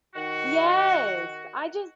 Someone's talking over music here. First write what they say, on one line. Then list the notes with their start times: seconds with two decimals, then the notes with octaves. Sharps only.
Yes! I just
0.15 D#3 F#4